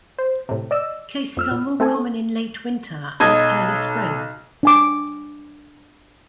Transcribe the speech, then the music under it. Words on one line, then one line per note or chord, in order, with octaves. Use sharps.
Cases are more common in late winter and early spring.
C5
A2 C3
D5 D#5 E6
F2 E6 F6
A#2
A3 C4 A4 G#5
B1 D#5 A5 D#6 G#6
D4 G#5 D6